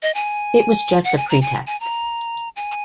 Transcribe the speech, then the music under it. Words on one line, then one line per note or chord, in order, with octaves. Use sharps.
It was just a pretext.
D#5
G#5
F#5
G#5
A#5
G#5
G#5
A#5
G#5